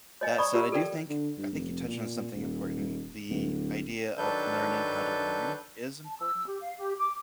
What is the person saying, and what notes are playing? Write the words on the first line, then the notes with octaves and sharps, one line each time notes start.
That said, I do think I think you touched on something important. The idea of learning how to learn is important,
C#5 D#5 G#5
D5 A#5 B5 C#6 D#6
F4 G4 E6
A4 A#4 D5 G5
D3
G2
F1
A#2
D#1
D1
D#3 F#3 D4 A4 B4 G6
A5
E6
G4
F5
G4
D6